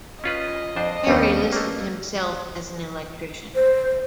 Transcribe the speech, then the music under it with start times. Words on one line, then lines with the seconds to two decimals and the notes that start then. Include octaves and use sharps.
Perry listed himself as an electrician.
0.24 C#4 F4 B4 D#5
0.76 F2 D4 C5
1.07 D#2 G3 A3 B3 C#4 D4
1.53 A3 A#3
3.55 C5